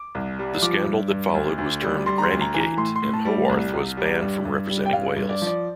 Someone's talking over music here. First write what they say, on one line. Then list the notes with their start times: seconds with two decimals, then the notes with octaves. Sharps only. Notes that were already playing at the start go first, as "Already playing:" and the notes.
The scandal that followed was termed "grannygate" and Howarth was banned from representing Wales.
Already playing: D6
0.15 C2
0.39 G3
0.62 F3 D6
0.86 G2
1.10 G2
1.34 D2
1.58 D2
1.82 G3
2.06 G3 C6
2.18 A#5
2.23 C6
2.30 D2
2.41 A#5
2.54 E3
2.60 A#5
2.77 A2 C6
2.96 C6
3.02 A2
3.13 A5
3.25 G3
3.49 C2
3.74 C2
3.97 G3
4.22 G2
4.45 G2
4.70 G3
4.86 G5
4.92 G2 F5
5.16 G2
5.29 D5
5.42 F3
5.47 D5